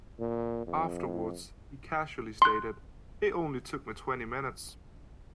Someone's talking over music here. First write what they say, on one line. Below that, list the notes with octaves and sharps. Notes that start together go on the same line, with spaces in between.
Afterwards he casually stated "it only took me twenty minutes".
A#2
F2
C6 F#6